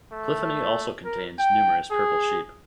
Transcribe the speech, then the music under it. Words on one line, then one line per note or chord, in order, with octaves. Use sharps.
Cliffoney also contains numerous purple sheep.
A3
A#4
G5
G#4